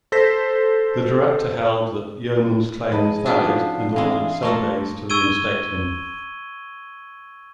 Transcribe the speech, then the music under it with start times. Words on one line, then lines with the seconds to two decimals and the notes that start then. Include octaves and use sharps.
The Director held that Yeoman's claim was valid and ordered Sobeys to reinstate him.
0.12 A4 C5 A#6 B6
2.92 F3 G#4 B4 D#5 A5
3.26 B3 C#4 D4 F#4
3.43 F3 D#4 F5
3.96 E3 G#3 C4 D4
4.43 F3 A3 A#3 A4 C#6
5.09 C#6 E6 G#6 D7 D#7 G7